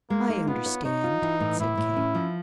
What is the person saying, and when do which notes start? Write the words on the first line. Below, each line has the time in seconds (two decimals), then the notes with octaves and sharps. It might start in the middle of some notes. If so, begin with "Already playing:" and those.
"I understand," said Kate.
0.10 G#3 A#3
0.29 D#4
0.47 B3 F4
0.66 C#5
0.85 D#4 C#5
1.04 F4
1.22 E3
1.40 A2
1.60 A2 E4
1.78 A2
1.97 C#4
2.15 F3